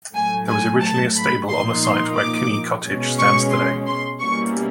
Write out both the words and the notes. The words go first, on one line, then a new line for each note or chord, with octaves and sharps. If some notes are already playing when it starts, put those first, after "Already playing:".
There was originally a stable on the site where Kinney Cottage stands today.
A2 F#3 A3 G#5
G#5
A5
B5
A#2 F3 A#3 D#4 C6
C6
D6
B2 G#3 C#4
C#6
C6
C6
B2 G3 A#3 C#4 E4 C#6